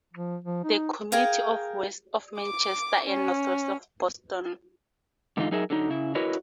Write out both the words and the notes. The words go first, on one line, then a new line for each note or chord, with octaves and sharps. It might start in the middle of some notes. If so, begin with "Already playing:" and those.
The community is west of Manchester and northwest of Boston.
F3
F3
D#4
G#4 A#4 F5 G5
D6
C#4
G#2 D3 E3 B3 D#4 F4
F#3 D#4 G#4 A#4 E5
D3 F#3 D#4
C#3 E4
E4 F#4 A#4 B4 C#5 D#5